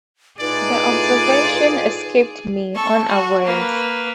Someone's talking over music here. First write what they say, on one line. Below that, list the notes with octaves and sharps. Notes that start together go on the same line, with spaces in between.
The observation escaped me unawares.
A2 D#4 F4 G#4 B4 D5
A4 C#6
F#4
A#3 B4